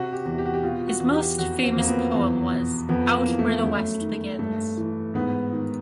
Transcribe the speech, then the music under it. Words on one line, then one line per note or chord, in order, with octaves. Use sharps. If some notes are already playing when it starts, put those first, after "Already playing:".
His most famous poem was "Out Where the West Begins".
Already playing: C3 F#4
G4
E2
G4
F#4
G4
B2 F4
F#4
E2
G4
F2 F#4
C4
F2 A#3
B3
E2
B2
F2 B3
A#3
E3
A3
F#2 A3
D#3
G2 A3
E3
G#2 B3
D#3